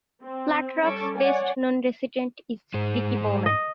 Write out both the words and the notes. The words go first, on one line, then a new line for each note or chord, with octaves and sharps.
Flat Rock's best known resident is Ricky Bowman.
C4
G3 C#4 A4 C#6 D6
C#5 D5 F#5 G#5
G#2 G#3 G#4 C5
D#5